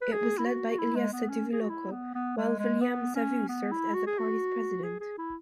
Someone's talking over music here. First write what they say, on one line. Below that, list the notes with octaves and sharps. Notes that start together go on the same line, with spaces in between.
It was led by Iliesa Duvuloco, while Viliame Savu served as the party's President.
B4
G#4
E4
F#4
F#4
E4
G#3
B3
C#4
G#4
F#4
E4
B3
B3
G#3
G#3
B3
C#4
B3
E4
F#4
G#4
F#4
G#4
G#4
E4